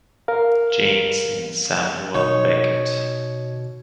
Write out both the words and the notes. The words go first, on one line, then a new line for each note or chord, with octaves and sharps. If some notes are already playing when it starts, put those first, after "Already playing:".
James and Samuel Beckett.
A#4 F5
B2 D#4 C#5